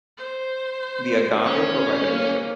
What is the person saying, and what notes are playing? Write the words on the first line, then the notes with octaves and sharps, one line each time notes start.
The agave provided liquor.
C5
C#4
A#3